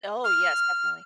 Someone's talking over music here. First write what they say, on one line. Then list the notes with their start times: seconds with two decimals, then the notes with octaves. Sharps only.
Oh, yes. Definitely.
0.24 F6